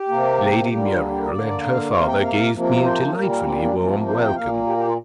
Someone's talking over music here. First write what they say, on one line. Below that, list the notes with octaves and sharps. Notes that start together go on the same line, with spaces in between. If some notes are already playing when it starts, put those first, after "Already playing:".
Lady Muriel and her father gave me a delightfully warm welcome.
Already playing: G4
C3 A#3
D3 G3 A#3 G4
F4
D4
G4
A#4
D3 A#3 D5
D5
F5
C3 A#3 F5
G5
F5
C3 F3 A#3
C5
A#2 G3 A#3 A#4
A#4
C4
D4
D4
C3 F3 A#3 F4
F4
C5
G5
A#2 A#3 F5
G4
G4
F4